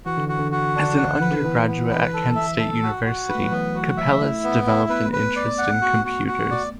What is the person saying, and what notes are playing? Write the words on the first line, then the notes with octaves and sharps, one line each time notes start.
As an undergraduate at Kent State University, Capellas developed an interest in computers.
E3 F#4
D3
F#4
D3
F#4
D4
F#5
B4
D3
E3 B3
B3
B4
A4
E5
A4
F#4
F#4
B4
A3
F#3
E3 B3
F#4
E5
A3 E4
B3
E4
B3 B4
B4
D5
F#5
F#4
F#4
F#4
D5